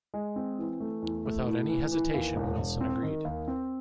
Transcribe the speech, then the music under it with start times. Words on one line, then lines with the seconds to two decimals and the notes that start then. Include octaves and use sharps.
Without any hesitation Wilson agreed.
0.14 G#3
0.36 C4
0.58 E3
0.80 A3
1.02 E2
1.25 A3
1.47 A2
1.69 E3
1.92 E3
2.14 D#2
2.36 E1
2.58 E1
2.81 C4
3.03 D#3
3.25 D#2
3.48 C4